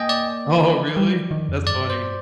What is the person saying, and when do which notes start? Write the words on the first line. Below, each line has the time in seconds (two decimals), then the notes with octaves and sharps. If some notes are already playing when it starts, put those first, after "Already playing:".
Oh, really? That's funny.
Already playing: A#3 D#5 G5 G#5
0.09 D5
0.97 G3
1.14 F3
1.31 D#3
1.49 F2
1.66 G2 D5
1.90 C5